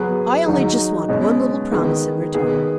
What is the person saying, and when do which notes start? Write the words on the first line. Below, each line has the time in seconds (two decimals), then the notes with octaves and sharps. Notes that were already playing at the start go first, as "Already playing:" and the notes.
"I only just want one little promise in return."
Already playing: F#3 B3 G#4 B4
0.46 F#3 D#4 G#4
1.09 B2 G#3 C#4
1.72 D#3 B3 G#4
2.34 D#3 B3 G#4